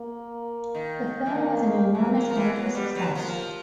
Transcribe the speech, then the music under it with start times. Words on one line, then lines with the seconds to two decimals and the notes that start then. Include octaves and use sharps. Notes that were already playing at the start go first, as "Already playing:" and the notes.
The film was an enormous commercial success.
Already playing: A#3
0.75 D#3
1.26 E3
1.34 D#3 A#3
1.94 E3 A#3
2.15 F3
2.30 F3
2.35 E3
2.55 F#3 B3
2.75 G3
2.95 F#3
3.15 F3 A#3